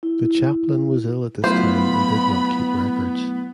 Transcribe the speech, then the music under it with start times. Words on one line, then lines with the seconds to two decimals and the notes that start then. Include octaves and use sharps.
The Chaplain was ill at this time and did not keep records.
0.03 E4
1.44 F#3 A3 B3 E4 F4 C5 B5